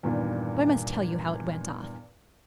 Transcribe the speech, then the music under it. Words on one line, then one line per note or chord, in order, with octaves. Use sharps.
But I must tell you how it went off.
E2 G2 A#2 D#3